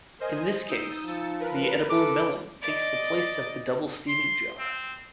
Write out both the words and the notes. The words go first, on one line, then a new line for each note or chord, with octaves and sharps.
In this case, the edible melon takes the place of the double steaming jar.
A#4 C5 D#5 G#5
D#4 D#6 E6 G6
F3 E6 A6 C#7
A#4 B4
A4 D6
D5 D#5
C6
C4